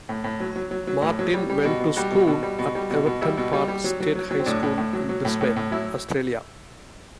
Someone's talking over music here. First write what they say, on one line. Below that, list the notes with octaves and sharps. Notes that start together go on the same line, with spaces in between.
Martin went to school at Everton Park State High School in Brisbane, Australia.
A2
A2
F#3
F#3
F#3
F#3
A2
F#3
G3
G3
B2
B2
G3 F#4
B2
B2
G3
B2
G3
B2
B2
G3 E4
B2
G3
G3
F#3
F#3
F#3
F#3
C4
A2 D4
A2
A2
F#3
F#3
A2
A2
A2
F#3 E4